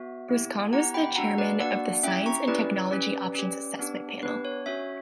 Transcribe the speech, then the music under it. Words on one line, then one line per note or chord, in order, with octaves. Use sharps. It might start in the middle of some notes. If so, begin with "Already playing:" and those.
Busquin was the chairman of the Science and Technology Options Assessment Panel.
Already playing: B3 F#4 E5
B3 E4 G4
B3 E4 G4 F#5 A#5
G5 B5
A#3 D4 F#4 F#5 A#5
B4 D5
A#3 D4 F#4 D5 F#5
C#4 E4 G4 E5 G5
A#5 C#6
C#4 E4 G4 B4 D5
C#4 G4
C#4 G4
B3 D4 G4
B3 D4 G4 B4
C#5
C#4 F#4 C#5 E5